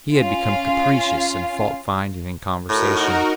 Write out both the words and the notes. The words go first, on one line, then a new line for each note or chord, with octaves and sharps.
He had become capricious and fault-finding in conversation.
C#4 F4 F5
A2 D#4 F#4 A#4